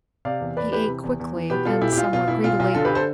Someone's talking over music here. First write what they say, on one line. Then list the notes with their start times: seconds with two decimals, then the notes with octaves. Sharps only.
He ate quickly and somewhat greedily.
0.25 C3 D5 F5
0.41 E2
0.56 E2 B4 D5
0.72 E3 G4 B4
0.88 C3
1.03 E2
1.20 E2
1.35 E3
1.50 B2 G4 B4
1.65 B2 F4 A4
1.81 B1 E4 G4
1.92 G4
1.97 B1 F4
2.13 B2 F4
2.28 B2 E4
2.44 B1 F4
2.59 B1 F4
2.75 D3 F4 A4
2.85 G4 B4
2.95 A4 C5